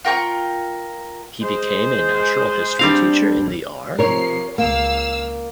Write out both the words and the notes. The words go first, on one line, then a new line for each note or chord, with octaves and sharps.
He became a natural history teacher in the R.?
F4 A#4 G5 C#6
G#3 C5
G3 C4 D4 F5
C3 F3 A#4 C#5 C7
C#2 A#3 F5 E6